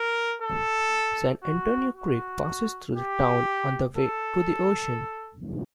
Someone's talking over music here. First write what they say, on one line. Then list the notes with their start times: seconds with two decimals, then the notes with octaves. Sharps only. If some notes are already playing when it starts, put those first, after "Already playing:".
San Antonio Creek passes through the town on the way to the ocean.
Already playing: A#4
0.42 A4
1.43 F#4
1.95 F#4
2.96 G4
3.97 A4